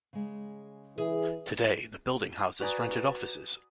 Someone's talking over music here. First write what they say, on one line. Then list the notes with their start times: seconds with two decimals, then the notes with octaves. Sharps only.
Today the building houses rented offices.
0.13 C#3 G#3
0.98 E3 G#4
2.60 F#4 B4 D5 G#5 A#5 D#6